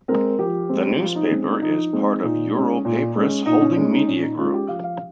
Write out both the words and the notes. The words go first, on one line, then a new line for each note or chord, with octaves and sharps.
The newspaper is part of Europapress Holding media group.
G#3 C4 A#4
F3 G4
G#3 C4
F3 F4
D#4
G#3 C4 C#4
D#4
F3 D#4
G#3 C4
A#2 D#4
G#3 C#4
A#2
G#3 C#4
A#2 D#4
C#4
G#3 C#4
D#4
A#2 C#4
D#4
G#3 C#4 F4
G4
F3 F5
F5